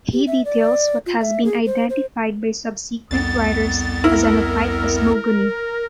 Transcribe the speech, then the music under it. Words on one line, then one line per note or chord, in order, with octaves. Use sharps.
He details what has been identified by subsequent writers as an Ophite cosmogony.
G4
E5
D5
F4
E5
G#4
C5
C5
C2 F2 B3 A6
E4 A#4